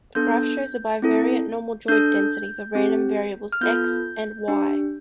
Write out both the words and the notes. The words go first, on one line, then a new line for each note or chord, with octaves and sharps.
The graph shows a bivariate normal joint density for random variables "X" and "Y".
B3 D4 A4 G6
C4 E4 A4
D4 A4 G6
C4 G4
F6
B3 F4 A4 G6
D4 G4